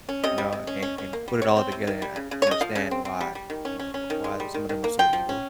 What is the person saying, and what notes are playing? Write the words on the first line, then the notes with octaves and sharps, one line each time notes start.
you know, and and put it all together and and understand why you know, w why some of them are so evil,
C#4
C3 D#5
G3
C3
C#4
C#4
C#4
A#3
G3
C3 C#5
C4
C3
D#3
G3
C#3
C#3
C#5
C#3 D#5
F3 F5
C#3
C4
C4
G3
G3
D#3
C#4
C#4
C#4
D#3
G#3
G3
D#3
D#3
A#3
F3 G5
F3
C#4